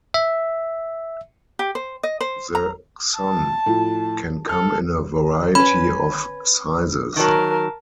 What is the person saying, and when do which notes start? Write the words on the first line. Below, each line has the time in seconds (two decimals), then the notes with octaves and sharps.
The xun can come in a variety of sizes.
0.14 E5
1.59 G4
1.75 C5
2.03 D#5
2.21 C5
2.55 A#5
3.16 A5
3.66 A2 F3
4.49 A4 F6
5.55 C#4 B4 B5
7.16 D#3 F#3 A#4 A5